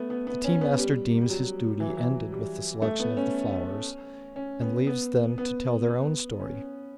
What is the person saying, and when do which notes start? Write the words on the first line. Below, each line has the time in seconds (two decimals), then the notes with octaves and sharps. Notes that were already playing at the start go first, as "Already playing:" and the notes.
The tea-master deems his duty ended with the selection of the flowers, and leaves them to tell their own story.
Already playing: A3 B3
0.10 B3
0.27 B3
0.44 C#4
0.61 B3
0.78 G3
1.22 G3
1.30 F#3
1.80 E3
1.89 F#3
1.97 E3
2.32 G3
2.82 A3
2.99 B3
3.17 C#4
4.36 C#4
4.62 B3
4.87 B3
5.38 B3
5.88 B3
6.40 C#4